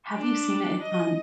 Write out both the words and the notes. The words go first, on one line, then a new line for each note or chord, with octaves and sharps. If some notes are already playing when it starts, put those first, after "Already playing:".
Have you seen it? It's on
D4
D#5